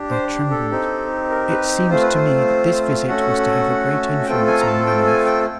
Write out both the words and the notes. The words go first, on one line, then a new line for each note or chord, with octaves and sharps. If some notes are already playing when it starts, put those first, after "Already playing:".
I trembled; it seemed to me that this visit was to have a great influence on my life.
Already playing: D4 G4
C5
A4
C4 D#4 G4
A#4
B4
A3 C4 F4 C5
B4
C5
A3 C#4 F#4 A4 F#5
A3 C4 F4 A4 G5
G#5
A#5
A5
G5
G#5
G5